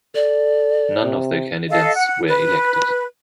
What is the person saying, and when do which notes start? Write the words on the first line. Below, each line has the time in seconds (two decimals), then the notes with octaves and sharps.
None of their candidates were elected.
0.15 A4 D5
1.03 C3
1.70 A4 D#5 F5
1.94 F#5
2.28 B4